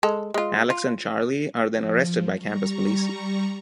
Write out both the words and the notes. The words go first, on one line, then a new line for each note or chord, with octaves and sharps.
Alex and Charley are then arrested by campus police.
G#3 A4
G#3 F4
F4
F3
G3 A#5 C#6